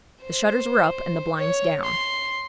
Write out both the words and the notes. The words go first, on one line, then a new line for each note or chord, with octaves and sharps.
The shutters were up and the blinds down.
C5
C#5
C6